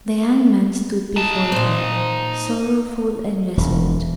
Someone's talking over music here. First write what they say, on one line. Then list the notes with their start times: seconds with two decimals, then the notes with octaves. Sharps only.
The young man stood before her, sorrowful and resolute.
1.17 D#4 A5
1.52 A#2 C5
3.57 E1